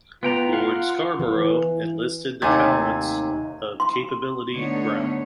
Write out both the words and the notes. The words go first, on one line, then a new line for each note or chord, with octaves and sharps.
Lord Scarborough enlisted the talents of Capability Brown.
B3 F4 G5 A#5
F5 F#5
E3
D#2 C3 A3 D#4 G#5 G#6
C6
D3 A3 B3 D#4 C#5